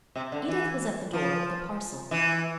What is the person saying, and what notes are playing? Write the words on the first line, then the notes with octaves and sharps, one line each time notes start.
Edith was at the door-with a parcel.
C3
D3
E3
F3
E3